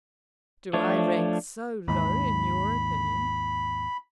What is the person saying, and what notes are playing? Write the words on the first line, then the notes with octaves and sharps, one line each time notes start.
'Do I rank so low in your opinion?'
F3 A3 D4 C#5
D#2 G#2 B5